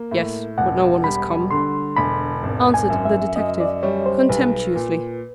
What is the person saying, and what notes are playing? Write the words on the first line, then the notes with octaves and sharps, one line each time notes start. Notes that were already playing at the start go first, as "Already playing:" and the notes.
"Yes, but no one has come," answered the detective, contemptuously.
Already playing: A#3
A2
E1 F#5
G3 B5
D3 C6
E1 B5
G#1
G#5
F#2
E5
F#2 D#5
D5
G3 C#5
C5
B1 B4
A#2